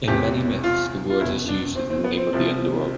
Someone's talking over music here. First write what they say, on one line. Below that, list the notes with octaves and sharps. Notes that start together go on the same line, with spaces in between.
In many myths, the word is used as the name of the Underworld.
E1 E2 C3 E3 G4
F4
F4
F1 E2 B2 E4
D4
C4
C4
B3
C4
C2 C3 F3